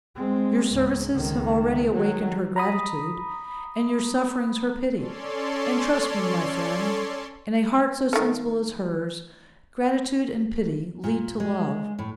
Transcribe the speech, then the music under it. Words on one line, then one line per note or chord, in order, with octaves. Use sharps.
Your services have already awakened her gratitude, and your sufferings her pity; and trust me, my friend, in a heart so sensible as hers, gratitude and pity lead to love.
G#3 C4
C#2 G#2
C#2 D#3
D#3 F#3
A#5 B5 D#6
C#4 A4 C#5 D5 C6
D#3 A3
A#2
G#3
A2